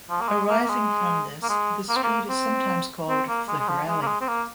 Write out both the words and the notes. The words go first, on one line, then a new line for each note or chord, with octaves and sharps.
Arising from this, the street is sometimes called 'Flicker Alley'.
F3
A#3
G#3
A#3
A#3
G#3
A#3
G#3
A#3
C4
A#3
C4
C4
A#3
G#3
G#3
F3
G#3
A#3
G#3
C4
A#3